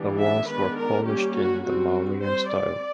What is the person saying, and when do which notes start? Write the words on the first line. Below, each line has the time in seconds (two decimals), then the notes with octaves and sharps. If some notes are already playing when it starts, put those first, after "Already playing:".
The walls were polished in the Mauryan style.
Already playing: E3 G3 B3 D4
0.18 E5
0.47 D#3 G#3 B3 D4 B4
0.76 A#4
1.05 G3 A#3 C#4 G4
1.34 F#4
1.63 G3 C4 F#4
2.22 G3 C4 C5
2.50 D5